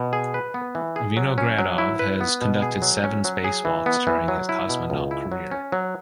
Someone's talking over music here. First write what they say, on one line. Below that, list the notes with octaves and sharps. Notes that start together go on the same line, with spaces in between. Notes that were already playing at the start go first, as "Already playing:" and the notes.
Vinogradov has conducted seven spacewalks during his cosmonaut career.
Already playing: B2
G#4
B4
B3
E3
G#4
F#3
C#4
F#3
E4
B4
B3
B2
G#4
F#3
C#4
F#3
G#4
E3
B3
E3
F#3
E4
B2
C#2
E4
F#3
C#4
F#3